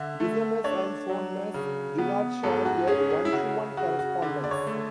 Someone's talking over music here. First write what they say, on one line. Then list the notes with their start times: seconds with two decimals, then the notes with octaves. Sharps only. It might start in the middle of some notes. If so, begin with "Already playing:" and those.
Visemes and phonemes do not share a one-to-one correspondence.
Already playing: D3 E5
0.20 A3
0.64 D4 C#5
1.10 F#3
1.54 C#3
1.98 B3
2.43 G#2 A4
2.65 F#4
2.87 C#4 G#4
3.10 G#4
3.25 E4
3.32 C#3 F#4
3.77 C#3 F#4
3.99 F#4
4.22 D3
4.44 D5
4.51 C#5
4.67 A3